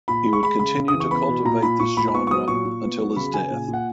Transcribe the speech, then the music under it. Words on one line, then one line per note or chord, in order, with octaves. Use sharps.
He would continue to cultivate this genre until his death.
A#2 B5
G#3
C#6
G#3 B5
C#3 B5
C#3
D#6
E3
C#6
B3 B5
B2
A#2 A#5
A#2 B5
A#2 C#6
A#2 B5
B5
B3 C#6
C#6
F#3 D#6
A#2 C#6
A#2
B3
F#3
C#3 B5
C#3 G#5
A#2
A#2
F#5